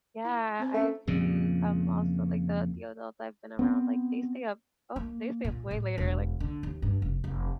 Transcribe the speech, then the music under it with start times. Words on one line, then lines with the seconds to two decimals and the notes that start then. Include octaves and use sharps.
yeah, I agree, um, also like the the adults I've been around, like they stay up, oh, they stay up way later,
0.25 E4
0.60 C4 C5
0.74 A3 C#4
1.07 F2 A#2 C#3
3.59 B3 C4
4.96 A#3
5.45 A#2
5.71 A2
5.98 E1
6.40 D3
6.63 D#2
6.82 G2
7.02 F1
7.24 F1